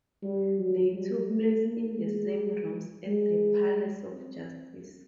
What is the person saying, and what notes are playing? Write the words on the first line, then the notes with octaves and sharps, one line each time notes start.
They took place in the same rooms at the Palace of Justice.
G3
F#3
G3
A3
A#3
G#3
G#3
C4